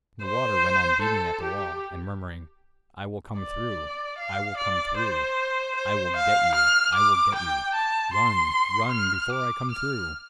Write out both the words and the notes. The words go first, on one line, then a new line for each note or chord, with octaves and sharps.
And the water went on beating at the wall, and murmuring, "I will come through, I will come through, I will get you, I will get you, run--run--before I come through!"
C5
A4
G4
D5
F5
D5
C5
C5
F5
F6
D6
G5
A5
C6
F6
D6
F6